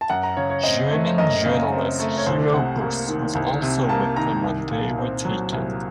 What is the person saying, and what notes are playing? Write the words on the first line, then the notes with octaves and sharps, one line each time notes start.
German journalist Hero Buss was also with them when they were taken.
A5
F#2 F#5
A#5
C#3 C#5
C#5
C4 D#5
A3
F#2 D#5
C#3
C4
A3
C#5
C2 C5
C3 F#5
A#3
D#3
C2
C3
A#3 A5
D#3 A#5
C2
A#2
C4
F#3
C2